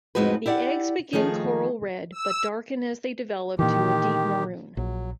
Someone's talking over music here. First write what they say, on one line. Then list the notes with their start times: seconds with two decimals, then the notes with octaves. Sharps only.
The eggs begin coral red, but darken as they develop to a deep maroon.
0.15 F2 A2 G#3 D#4 F#4 B4
0.46 E4 G4 D5 F#5
1.13 D#3 F3 A3 D#4 G#4
2.11 E6
3.59 A#2 D#3 E3 G4
4.77 A#1 F#3